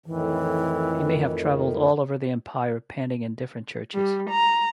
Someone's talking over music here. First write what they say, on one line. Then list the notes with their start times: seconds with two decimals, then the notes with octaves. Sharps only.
He may have traveled all over the empire painting in different churches.
0.06 F2 A2 D#3 E3
3.95 G3
4.30 A#5